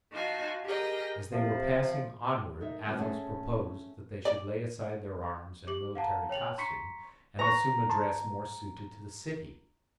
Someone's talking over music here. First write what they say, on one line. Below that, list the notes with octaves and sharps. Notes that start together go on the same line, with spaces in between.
As they were passing onward, Athos proposed that they should lay aside their arms and military costume, and assume a dress more suited to the city.
D#4 F4 F#4 G#5 A5
G4 G#4 A#4 D#5 G5
C3 F3
D#4 A#4 E5
D2 G3 C4 F4 F#4 B4
A3 C#4 G#4 F#5 G#5 A5
D5
G4 D6 F#7
F5 F#5 A5 A#5
C#5 G5 F7 F#7
A#5 C6 C#6 B6 C#7
B4 A#5 C#6
A5 C6